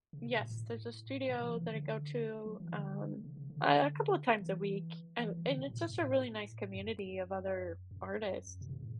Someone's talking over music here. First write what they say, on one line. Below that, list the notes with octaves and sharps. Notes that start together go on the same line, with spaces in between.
yes, there's a studio that I go to, um, a couple of times a week, and and it's just a really nice community of other artists.
C#3
B2
A2
A2
B2
E3
E3
D3
F#3
E3
D3
C#3
C#3
D3
D3
E3
E3
E3
D3
B2
A2
G#2
A2
F#2
F#2
B2
C#3
A2